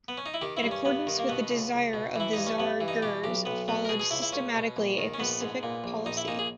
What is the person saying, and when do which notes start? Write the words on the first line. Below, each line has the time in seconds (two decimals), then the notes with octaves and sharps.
In accordance with the desire of the tsar Girs followed systematically a pacific policy.
0.08 B3
0.18 C#4
0.26 D#4
0.34 E4
0.42 D#3 G4
0.57 E4
0.63 G2
0.71 C#4
0.85 G2 B3
1.07 D#3
1.19 A#3
1.29 B2 B3
1.51 C#2
1.72 C#2
1.93 B2
2.16 E3 E4
2.33 G2 D#4
2.46 C#4
2.58 G2 B3
2.81 E3
2.88 D#4
3.02 B2 G4
3.24 B1 G4
3.45 B1 B3
3.68 B2 B3
3.85 A#4
3.89 B2 G#4
3.99 G#4
4.11 C#2 E4
4.22 E4
4.32 C#2 C#4
4.55 B2
4.77 A#1
4.98 D#3
5.14 C#4
5.20 A#1 B3
5.41 G#2
5.63 A#2
5.84 A#1
6.06 A#1 D#4
6.17 E4
6.28 A#2 D#4
6.39 G#4